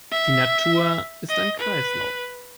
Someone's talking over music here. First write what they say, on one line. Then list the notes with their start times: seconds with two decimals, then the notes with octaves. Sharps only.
Die Natur ist ein Kreislauf.
0.12 E5
1.29 D#5
1.59 B4